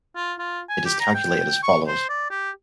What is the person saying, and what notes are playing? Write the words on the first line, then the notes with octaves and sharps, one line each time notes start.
It is calculated as follows.
F4
F4
G#5
G4
A#5
G5
C#6
C5
D5
G4